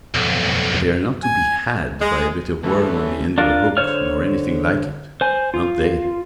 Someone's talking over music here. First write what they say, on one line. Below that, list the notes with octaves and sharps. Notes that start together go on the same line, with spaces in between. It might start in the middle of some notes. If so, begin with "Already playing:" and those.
But they are not to be "had" by a bit of worm on the end of a hook, nor anything like it--not they!
B1 F2
G#5
G#3
D2 E3 A3 C#4 F#4 A4
D4 F4 A#4
D3 C5 C#5 F6
C5 G#5
F4